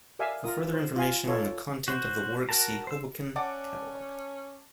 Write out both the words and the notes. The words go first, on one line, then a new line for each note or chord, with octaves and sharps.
For further information on the content of the work see "Hoboken catalog".
A#4 D5 E5 F5 G#5
F4 A#4 D#6
C5
F4 F5 G#5
F4 A4 C#5
F#4 C5
F#4 A#4 A5 A#5
C5 E6
C#4 D5 F#5 A5 D6